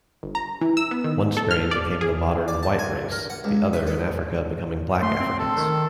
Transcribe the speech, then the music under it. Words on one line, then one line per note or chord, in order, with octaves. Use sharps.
One strain became the modern "white" race, the other in Africa becoming black Africans.
G1
A#5
E3
E6
B3
D#3
A4
F6
D5
G#4
D5
A5
G#5
A#4
F#5
C#2
B4
B3
A3 C6
C4
A4
D#3